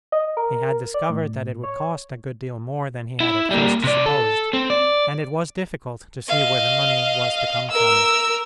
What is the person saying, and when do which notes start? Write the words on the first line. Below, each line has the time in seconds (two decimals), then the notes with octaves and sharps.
He had discovered that it would cost a good deal more than he had at first supposed, and it was difficult to see where the money was to come from.
0.12 D#5
0.37 A#4
0.94 D5
1.10 A2
1.64 C#5
3.20 E4
3.51 G3 A#3
3.84 C3 D5
4.06 A4
4.53 C4
4.70 D5
6.28 D#5 F5
7.70 A#4 E6